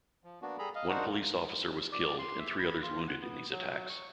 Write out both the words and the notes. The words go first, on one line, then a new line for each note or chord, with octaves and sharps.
One police officer was killed and three others wounded in these attacks.
F3
A#3 B3 D4 F#4
G3 G#4 A4 A#5 B5
D#5 F5
D4 D#4 F#4 A#4 C5 F#5
A#3
D5
C6
E5
B5
F4
F#5
B3
F#3
C#6